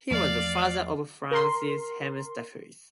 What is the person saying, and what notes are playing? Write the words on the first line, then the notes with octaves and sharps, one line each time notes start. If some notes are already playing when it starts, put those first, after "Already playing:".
He was the father of Frans Hemsterhuis.
E2 F3 A3 D5 F5
A#4 C6